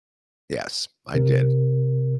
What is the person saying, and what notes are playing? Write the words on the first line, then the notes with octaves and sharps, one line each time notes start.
yes, I did.
C3 A#4